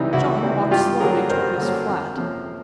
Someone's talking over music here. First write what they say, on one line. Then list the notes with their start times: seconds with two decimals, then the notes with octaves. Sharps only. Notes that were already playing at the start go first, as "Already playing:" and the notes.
John walked slowly toward his flat.
Already playing: C#2 C3 E3 G3 C4 D#4
0.13 C#2 E4 F#4
0.43 C3 E3 G3 C4
0.71 G2 F4 G4
1.00 D3 F#3 A#3 C#4 G#4 A#4
1.29 G2 A#4 C5
1.58 D3 F#3 A#3 C#4
1.88 F2
2.17 C3 F3 A#3 C#4